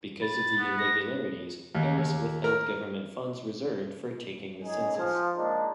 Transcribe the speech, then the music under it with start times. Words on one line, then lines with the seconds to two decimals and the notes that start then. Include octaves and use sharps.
Because of the irregularities, Harris withheld government funds reserved for taking the census.
0.21 B5 A6
0.57 B3
0.78 A#6
1.75 D#2
1.97 D#2
2.44 A#4
4.64 C#2 D#4 G#4
4.98 F3
5.38 G#3 A#3 D4 D#4